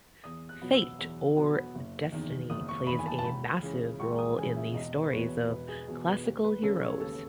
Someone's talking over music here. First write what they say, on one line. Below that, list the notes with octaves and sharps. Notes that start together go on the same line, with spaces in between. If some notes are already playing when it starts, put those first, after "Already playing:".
Fate, or destiny, plays a massive role in the stories of classical heroes.
E2 D#6
F#6
B2 F#3 B3
E6
E2
B2 F#3 B3
F#1
E2 D#3
F#1 D#6
C#6
E2 D#3 B5
G#5
A5
A5
C#2 B5
C#3 E3
C#2 C#6
D#6
C#3 E3 G#5
E5
E1 D#5
B4
E2 B2 C#5
E1 B4
G#4
E2 B2 G#4
B4
D#2
B4
C#3 G#3 C#4 A4
C#5
D#2 A4